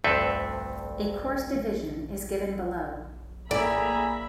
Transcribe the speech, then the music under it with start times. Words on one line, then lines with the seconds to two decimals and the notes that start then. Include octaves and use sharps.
A coarse division is given below.
0.04 D2 G2 C4 A4 B4 E5
3.51 A2 A#3 G#4 D5 E5 G#5 A#5 B5